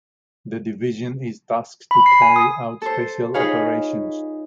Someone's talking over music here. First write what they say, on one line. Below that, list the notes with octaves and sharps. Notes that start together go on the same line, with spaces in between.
The division is tasked to carry out special operations.
B5
C7
G#5
D#6
A4 C5
D#4 F4 G#4 B4 C#5 F5